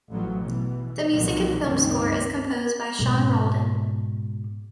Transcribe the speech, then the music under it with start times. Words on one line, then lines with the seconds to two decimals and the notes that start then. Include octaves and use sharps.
The music and film score is composed by Sean Roldan.
0.11 A1 F3 F#3
0.43 B2 E3
1.10 C2 A#2 D#3 F3 F#3
1.64 F#1 C#2 G2 D#3 C4
2.99 G#2 B2